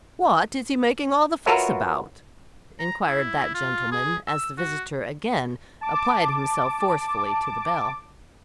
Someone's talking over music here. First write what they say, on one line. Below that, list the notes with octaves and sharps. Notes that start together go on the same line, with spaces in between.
"What is he making all the fuss about?" inquired that gentleman as the visitor again applied himself forcefully to the bell.
F4 F#4 A#4 B4 C#5 E5
A#5
E4
F4
G#4
E6
F#4
A5 D6